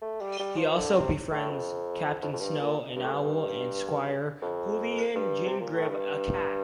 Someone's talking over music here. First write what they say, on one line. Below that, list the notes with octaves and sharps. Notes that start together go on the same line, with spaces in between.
He also befriends Captain Snow, an owl, and Squire Julian Gingivere, a cat.
A3
G3
G3
F3
D3
C3
A2
F2
F2
F2
G2
A#2
G2
A2
G2
F2
G2
C3
A#2
A2
G2